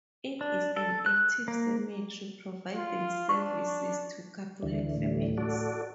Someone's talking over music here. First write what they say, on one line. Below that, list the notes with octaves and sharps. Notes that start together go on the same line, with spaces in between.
It is an active cemetery providing services to Catholic families.
D4
A4
F#6
A#3
F4
D4 C#6
D2 D3 E3
A2
F#4 A4 D5